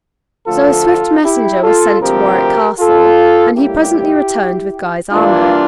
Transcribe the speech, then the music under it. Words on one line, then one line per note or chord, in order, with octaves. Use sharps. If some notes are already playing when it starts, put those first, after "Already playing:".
So a swift messenger was sent to Warwick Castle, and he presently returned with Guy's armor.
D2 D3 F3 A3 F4 A4
E4 G4
F4 A4
D2 C3 F3 C4 G4 A#4
F4 A4
A2 G3 A#3 E4 G4
G2 E3 A#3 D4 F4